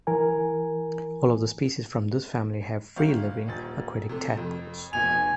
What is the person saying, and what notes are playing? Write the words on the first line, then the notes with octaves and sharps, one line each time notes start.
All of the species from this family have free-living, aquatic tadpoles.
E3 A#4 G#5
G1 F5
D#1 A6
C3 A3
F2
F1 B2 G#5 F7